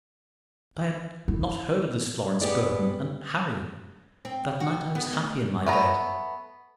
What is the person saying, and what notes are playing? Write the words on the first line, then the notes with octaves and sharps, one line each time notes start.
But I had not heard of this Florence Burton; and, Harry, that night I was happy in my bed.
E4
B3 G4 G#4 D5
C4
F#4
B3
D2
A3 B3 A#5